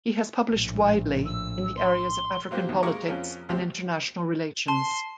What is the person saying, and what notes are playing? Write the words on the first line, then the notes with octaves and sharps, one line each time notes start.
He has published widely in the areas of African politics and international relations.
A#1 A2
E6
C6
F#3 A#3 C4 F#4 G4
E2 D#3
G#3 A#3 G4 A#4 C#6 D6
F2 F3 C#4
D2 C3 G4 C5
A5 C6